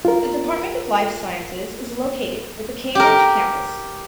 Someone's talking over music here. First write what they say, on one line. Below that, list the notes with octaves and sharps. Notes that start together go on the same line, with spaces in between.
The Department of Life Sciences is located at the Cambridge campus.
F4 A#4
G4 A#4